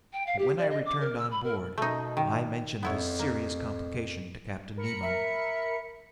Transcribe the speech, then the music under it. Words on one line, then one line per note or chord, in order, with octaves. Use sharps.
But when I returned on board, I mentioned this serious complication to Captain Nemo.
G5
F5
G4
D5
D#5
D6
A#4
E6
B5
A#4
B2 A3 D#4
D#3
F2 B3 E4 C#5
A#3
A#4 B5 C#7
E5